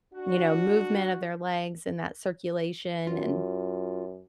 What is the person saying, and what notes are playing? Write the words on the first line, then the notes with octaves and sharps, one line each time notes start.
you know, movement of their legs and that circulation, and
D4 F#4
F#2 F4